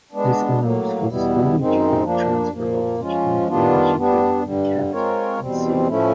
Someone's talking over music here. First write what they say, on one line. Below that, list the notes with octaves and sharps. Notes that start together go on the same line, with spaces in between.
This allows for the storage or transfer of digital information to be kept concealed.
G#3 B3 D4
A2 F#3 A#3
E2 B2 G3 B3 E4
F#2 D#3 G#3 C4 D#4
F3 A#3 D4
A#2 F3 A#3
F3 G#3 C#4 F4
D#3 G3 B3 D4 F4
G3 B3 D4
G2 D3 G3
G#3 C4 F4 A#4 C#5
E2 B2 G3 C4
A2 F3 A3 C#4 E4